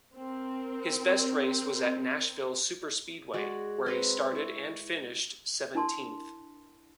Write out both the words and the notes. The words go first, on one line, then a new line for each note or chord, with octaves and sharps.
His best race was at Nashville Superspeedway, where he started and finished seventeenth.
C4 A#4
G#3 F#4 D5 F#5
C4 B4 A#5
E4 C#6
D4 E4 A#4 A5 C6